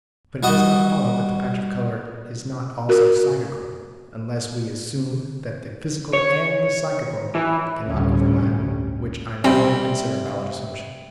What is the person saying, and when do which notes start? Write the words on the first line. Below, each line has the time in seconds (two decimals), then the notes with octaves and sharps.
But it does not follow that the patch of colour is not also psychical, unless we assume that the physical and the psychical cannot overlap, which I no longer consider a valid assumption.
0.43 G3 F#4 D#5
2.89 F#4 A#4
6.13 C#5
7.35 E3
7.89 G1 D2 A2 C3 G3 C#4
9.44 C3 G3 C4